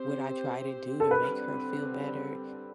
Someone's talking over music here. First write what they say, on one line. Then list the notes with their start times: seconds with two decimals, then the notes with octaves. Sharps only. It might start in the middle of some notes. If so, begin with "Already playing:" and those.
what I try to do to make her feel better,
Already playing: C4 G4 C5
1.00 A4
1.10 D3 G3 C4 B4